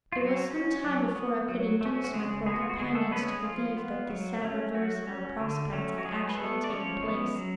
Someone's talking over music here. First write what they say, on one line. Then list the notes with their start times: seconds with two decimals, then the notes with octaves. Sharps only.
It was some time before I could induce my poor companions to believe that this sad reverse in our prospects had actually taken place.
0.12 F4
0.18 F#3 F#4
0.51 C#4
0.83 F#3
1.16 B3
1.49 F#3
1.81 A3 C#4
2.04 F#4
2.14 C#3 G#3 G#4
2.46 G#3 B3 G#4
2.54 F#4
2.62 F4
2.69 F#4
2.79 D3 G#3 G#4
2.95 A3 A4
3.11 G#3 B3 C#4 B4
3.28 G#3 G#4
3.44 F3 F4
3.77 B3
4.09 F#3
4.42 A3 C#4
4.74 F#3 F#4
5.07 C#4
5.40 D3
5.72 F#3 A3 C#4
5.98 F#4
6.05 F#3 G#3 G#4
6.29 B4
6.37 A3 B3 A4
6.64 D5
6.70 F3 C#4 C#5
7.03 G#3 B3
7.36 F#3